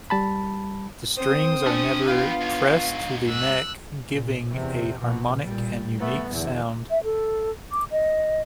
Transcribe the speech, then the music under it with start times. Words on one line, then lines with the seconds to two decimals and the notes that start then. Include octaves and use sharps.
The strings are never pressed to the neck, giving a harmonic and unique sound.
0.10 G3 A5 B5
1.17 C4 C5 D#6
1.66 A3 C#4 D4
2.07 B3 F4 B4 F5 G5
2.41 G#2 C#5
3.28 E6 F#6
4.09 A#2
4.51 E2 C3
4.98 A#1 B2
5.44 A#2 G3
5.99 A3 B3
6.31 E2 D3
6.90 E5
7.04 A4
7.71 D6
7.91 D#5